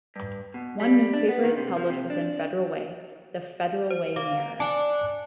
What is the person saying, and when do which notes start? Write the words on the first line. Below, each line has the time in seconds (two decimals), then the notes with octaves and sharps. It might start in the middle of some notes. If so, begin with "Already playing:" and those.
One newspaper is published within Federal Way, The "Federal Way Mirror".
0.16 G2
0.54 B2
0.80 G3
1.13 D4
1.28 B3
1.44 D#3
1.57 C3
1.77 F3
1.90 C3
2.10 D4
3.90 C5
4.16 A#3 F5
4.60 D4 G#5 A5